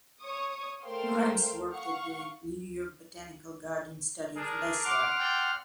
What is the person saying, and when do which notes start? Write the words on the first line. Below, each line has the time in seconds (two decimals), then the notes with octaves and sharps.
Grimes worked at the New York Botanical Garden studying Fabaceae.
0.21 C#5 C#6 D#6
0.82 A3 A#4 C5 F5 G5 C6
1.72 F5 F#5 C#6
4.37 D4 G#4 A#4
4.84 F#5 C6 D6 F6
5.19 C4 D5 G5